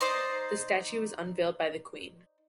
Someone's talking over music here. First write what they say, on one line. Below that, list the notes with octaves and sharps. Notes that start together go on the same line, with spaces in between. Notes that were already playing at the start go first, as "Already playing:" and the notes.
The statue was unveiled by the Queen.
D#4 C5 D5 D#5